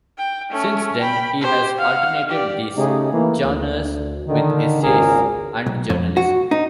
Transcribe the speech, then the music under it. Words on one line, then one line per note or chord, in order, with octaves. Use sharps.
Since then, he has alternated these genres with essays and journalism.
G5
A3 C#4
G5 B5
G4 C5
F5 F#5
G4 D5
C#3 A3 D#4 G4 G#4
E3 A3 A#3
D2
D3 D#3
G#1 C#2 A#2 G#4 A#4
B1
F2
F#4
D#4